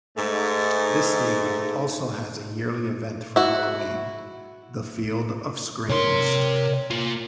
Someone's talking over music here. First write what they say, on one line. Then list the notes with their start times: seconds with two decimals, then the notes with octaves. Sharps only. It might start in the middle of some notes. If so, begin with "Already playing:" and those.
This stadium also has a yearly event for Halloween, the "Field of Screams".
0.17 G#2 A3
3.36 E4 F#4
5.89 C3 A#4 C#5 C6
6.90 A#3 F4